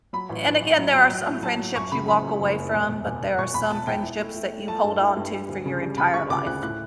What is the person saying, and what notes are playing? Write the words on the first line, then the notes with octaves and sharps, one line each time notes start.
and again, there are some friendships you walk away from, but there are some friendships that you hold on to for your entire life.
F#3 B5
A1
A1
A1
F#3
F#3
F#3
A2
F#3 A5
F#3
F#2 C#6
C#3 B5
F#1 B5
F#3
F#1
F#2
E1
E1
E1
E1
E1 C#6
E1 B5
E1 A5
E1 G5
E4
A3
E4
A3
A3 A5
G2
E4
G2
G3
D2
C#3
G3
C#3 B5
D2 C#6
C#3 D6
D2 F#6
A2 F#6